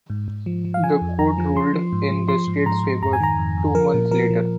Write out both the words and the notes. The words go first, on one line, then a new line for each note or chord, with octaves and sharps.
The court ruled in the state's favor two months later.
G#2
G#2
F3
F3
F5
F3 G#5
F2
F2 A#5
F3
F3 C6
F3
G#2
F3
F3 C6
G#2
G#2 A#5
G#2
F2 A#5
G#5
D#3 A#5
F2
F2
F3 A#4
A#2
F3 A#4
F3